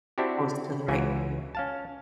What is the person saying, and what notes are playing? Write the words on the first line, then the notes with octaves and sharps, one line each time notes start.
close to the right
C4 D4 E4 F#4 G4
C#2 E3 F#4 G#5
C#4 F5 A5